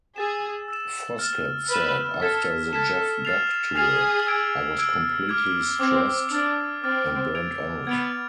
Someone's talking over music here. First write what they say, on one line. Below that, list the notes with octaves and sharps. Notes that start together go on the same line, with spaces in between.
Foskett said After the Jeff Beck tour, I was completely stressed and burned out.
G#4 E6 A6 E7
E6 A6 E7
F6 A6 E7
B4 F6 A6 E7
A4 F6 G#6 B6 E7
A4 F6 G#6 B6 E7
F6 A6 C7 F7
G#4 F6 A6 C7 F7
E6 G#6 D7
E6 G#6 D7
D6 F6 G#6
C4 D6 F6 G#6
D4 D6 F6 A6
C4 D6 F6 A6
G#6 D7 F7
B3 G#6 D7 F7